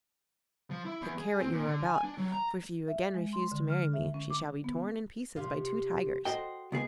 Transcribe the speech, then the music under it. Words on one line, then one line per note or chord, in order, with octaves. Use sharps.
Take care what you are about, for if you again refuse to marry me she shall be torn in pieces by two tigers.'
F3
E4
E2
G#4
C4
A#2
D3
G#5
D4
F#3
A#5
E5
G#3
C6
D3
F6
E5
C#4
D6
B3
C3 F4
F#4 A4 C5 D#5 G5
C#2 B3 G#4